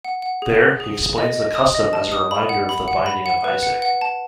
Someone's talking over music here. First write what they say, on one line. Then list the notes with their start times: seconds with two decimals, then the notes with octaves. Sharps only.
There, he explains the custom as a reminder of the binding of Isaac.
0.05 F#5
0.22 F#5
0.42 G#4
0.61 G#4
0.80 G#4
0.99 G#4
1.18 D#5
1.36 D#5
1.55 D#6
1.75 D#5
1.93 A5
2.12 D#6
2.31 B5
2.49 F#5
2.69 B5
2.88 F#5
3.06 B5
3.26 F#5
3.44 B4
3.63 F#5
3.82 F#5
4.01 A5